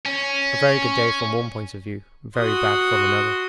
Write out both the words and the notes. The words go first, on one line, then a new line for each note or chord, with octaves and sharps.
A very good day from one point of view, very bad from another.
C#4
F#4 C6 D#6